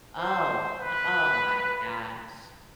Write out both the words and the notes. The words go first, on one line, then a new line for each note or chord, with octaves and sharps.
Oh, h oh my gosh!
C5
B4